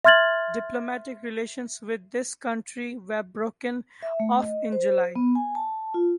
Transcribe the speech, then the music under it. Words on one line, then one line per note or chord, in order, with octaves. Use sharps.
Diplomatic relations with this country were broken off in July.
E5 C6 F6 G#6 A6 F#7
E5
A3
D#5
C5
B3
G#5
A5
F4